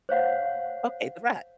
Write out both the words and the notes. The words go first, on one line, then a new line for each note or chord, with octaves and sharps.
"Okay, the rat,
C5 C#5 F5 F#5